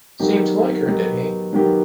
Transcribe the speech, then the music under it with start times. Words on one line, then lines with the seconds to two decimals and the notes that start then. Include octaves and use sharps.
Seemed to like her, did he?
0.20 D#3 F#3 B3 D#4 G4
0.86 D#3 F#3 B3 D#4 G4
1.53 D#3 F#3 B3 D#4 G4